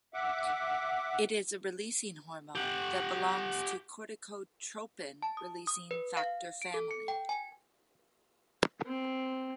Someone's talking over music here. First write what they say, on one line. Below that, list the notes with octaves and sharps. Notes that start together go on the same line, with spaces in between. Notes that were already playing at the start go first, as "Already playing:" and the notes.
It is a releasing hormone that belongs to corticotropin-releasing factor family.
E5 F#5 D6
G4 F#5
A5
D#6
D#6
B4
F5
D7
A4
C#7
G5
G#5
C4